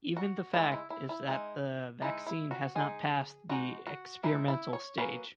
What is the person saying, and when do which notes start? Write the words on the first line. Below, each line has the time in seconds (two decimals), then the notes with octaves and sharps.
Even the fact is that the vaccine has not passed the experimental stage.
0.17 F#4
0.53 G#3 D#4 E4
0.72 E4
0.90 E4
1.09 E4
1.27 G#3 D#4
2.02 G#3 D#4 E4
2.27 E4
2.51 F#4
2.75 G#3 D#4 G#4
3.49 G#3 D#4 F#4
3.87 F#4
4.23 G#3 D#4 E4
4.48 E4
4.73 C#5
4.97 F#3 A#3 C#4 B4